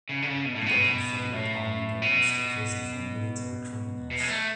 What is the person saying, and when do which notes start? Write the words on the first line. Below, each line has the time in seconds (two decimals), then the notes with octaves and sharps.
The Confederate Army then used the prison for military criminals.
0.09 C#3
0.22 D3
0.27 C#3
0.45 B2
0.56 A2
0.66 B2
1.32 A2
2.02 B2
4.11 B2
4.20 G#3
4.29 A3